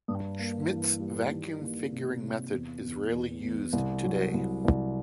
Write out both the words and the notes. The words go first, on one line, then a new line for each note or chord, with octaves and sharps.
Schmidt's vacuum figuring method is rarely used today.
G2
A#3
E3
G3
D#3
A#3
C3
C3
E2
E2
E2
E2
C2
F#3
C2
C2